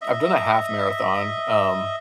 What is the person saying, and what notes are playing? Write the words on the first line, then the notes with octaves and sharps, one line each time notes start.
I've done a half marathon, um,
D#5 E5